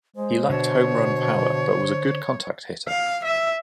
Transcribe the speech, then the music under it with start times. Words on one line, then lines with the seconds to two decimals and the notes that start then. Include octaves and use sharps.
He lacked home run power but was a good contact hitter.
0.16 G#3 C5
0.50 B2 D3 D4 C#5
2.88 F5
3.25 E5